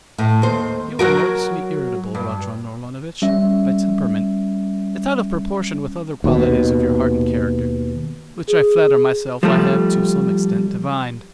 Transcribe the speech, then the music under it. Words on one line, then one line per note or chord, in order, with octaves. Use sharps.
You are nervously irritable, Rodion Romanovitch, by temperament; it's out of proportion with other qualities of your heart and character, which I flatter myself I have to some extent divined.
A2
D#2 C5
F#3 F#4 A#4
G2
G3 C#4 E5
D#2 B2
G#4
F3 G3 A3